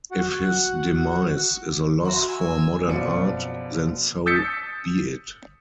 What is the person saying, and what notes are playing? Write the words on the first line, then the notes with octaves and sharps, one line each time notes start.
If his demise is a loss for modern art, then so be it.
F#4 F#5
F#4 E5 A#5 C6
G#5 E6
F#1 F#2 B2 F3 D5 C#7
D#6 E6 G6 A6 B6 C#7